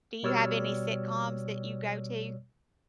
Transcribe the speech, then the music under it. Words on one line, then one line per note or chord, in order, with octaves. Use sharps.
Do you have any sitcoms that you go to?
B2 G3 C#5 D5 E6 F6